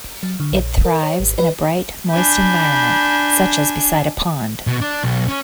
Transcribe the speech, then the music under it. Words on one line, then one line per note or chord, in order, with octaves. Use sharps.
It thrives in a bright, moist environment, such as beside a pond.
F#3
D3
A#1
A#4
C#5
G#1
B4
D4 G#5 B5 G6
B2
D4
B1
C#4